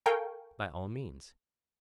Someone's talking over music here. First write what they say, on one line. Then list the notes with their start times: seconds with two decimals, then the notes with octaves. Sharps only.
By all means.
0.06 A4 A#4 F5 G5 G#5 C#6